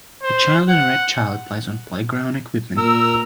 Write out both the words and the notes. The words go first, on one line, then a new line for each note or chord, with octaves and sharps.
A child in a red child plays on playground equipment.
C5
F#5
A#2 A#4 E6